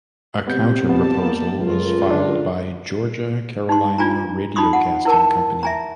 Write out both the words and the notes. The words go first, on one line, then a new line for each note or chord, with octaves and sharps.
A counterproposal was filed by Georgia Carolina Radiocasting Company.
C3 F#3 B3 G6
F2 G3 B3 A5
A#3 B3
C#2 F#2 A3 F4 A#4
D3 D4
D#4 C6
D4 F4 G#5 A#5
D#4 F4 B5 C6 D#6
F#5
E4 A#4 A5
E5 G#5 A#5